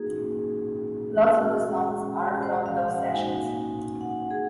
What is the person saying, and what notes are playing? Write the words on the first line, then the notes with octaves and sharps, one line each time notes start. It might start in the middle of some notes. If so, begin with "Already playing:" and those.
Lots of the songs are from those sessions.
Already playing: A#3 D#4 F#4 G#4
G#3 C#4 F#4
C5
F5
F#5
A#3 D#4 F#4 G#5
F#5
G#4